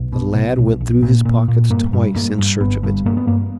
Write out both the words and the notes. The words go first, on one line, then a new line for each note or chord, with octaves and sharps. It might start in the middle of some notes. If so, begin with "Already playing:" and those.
The lad went through his pockets twice in search of it.
Already playing: B1
B2
B1
B1
A#1
A#2
A#2
A#2
G2 A#3
G2
G2 A#3
G2
G1 B3
G2
G2 A#3
B3
G2 A#3